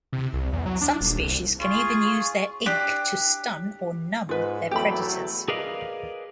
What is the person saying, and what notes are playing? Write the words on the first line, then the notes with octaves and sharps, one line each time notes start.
Some species can even use their ink to stun or numb their predators.
C3
C2
E2
F#3
D4
D#1
C2
F4 G#4 C#6
D4 G4
G#2 F4 B4
E2 F#3 A3 G4 B5
G#4 A#4 B4 D5 D#5 F5